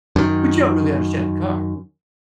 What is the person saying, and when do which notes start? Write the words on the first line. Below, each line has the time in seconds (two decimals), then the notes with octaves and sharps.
but you don't really understand the car,"
0.16 F#2 D#3